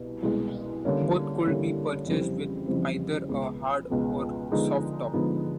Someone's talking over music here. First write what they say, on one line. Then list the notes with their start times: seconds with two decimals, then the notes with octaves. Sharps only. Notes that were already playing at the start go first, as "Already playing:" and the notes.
Both could be purchased with either a hard or soft-top.
Already playing: C2 B2
0.23 C2 B2 G#3
0.84 D3 G3 A#3 C#4 E4
1.46 D3 G3 A#3 C#4 E4
2.06 F2 C#3 E3 G3 C4
2.68 F2 C#3 E3 G3 C4
3.29 C#2 B2 G#3 B3
3.90 C#2 B2 G#3 B3
4.52 D3 F3 G#3 B3 D#4
5.13 D3 F3 G#3 B3 D#4